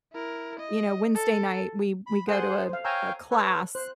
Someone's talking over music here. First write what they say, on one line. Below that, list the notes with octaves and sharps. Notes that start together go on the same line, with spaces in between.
you know, Wednesday night- we we go to a a class
E4 A#4
D#5
A4
B5
G#4 A4 C5 F#5 G#5 C6
C5 F5
C#5 F5 G5 G#5 A#5 E6
A4 B4 C#5
C5 F#6